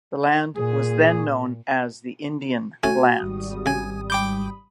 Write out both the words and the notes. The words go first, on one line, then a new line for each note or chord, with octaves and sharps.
This land was then known as the Indian Lands.
A#2 G#4
A2 C#4 F#4 G#5
G#1 G3 D#6
C#3 G#5
G5 B5 D6 G6